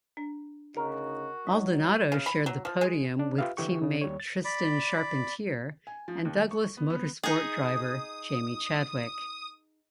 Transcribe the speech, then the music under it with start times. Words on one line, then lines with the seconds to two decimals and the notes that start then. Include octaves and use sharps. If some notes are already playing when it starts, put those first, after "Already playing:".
Maldonado shared the podium with teammate Tristan Charpentier and Douglas Motorsport driver Jamie Chadwick.
0.17 D4
0.77 D2 C#3 D#4 F#4 A#4
1.47 F#3 G#3 D#4
2.12 C#3
2.26 B5
2.46 F#3
2.65 F3
2.81 G#3
3.19 D4
3.38 F4 G4 B4 E5 F5
3.57 D3 E3 G4 C#6
3.82 C#3 C#4
4.01 D#2 G3 C#5
4.20 A6
4.45 D5 B5
5.87 G#5
6.08 F3
6.25 D#2
6.51 C#6
6.77 B3
6.90 B3
7.23 D#4 G#4 D#6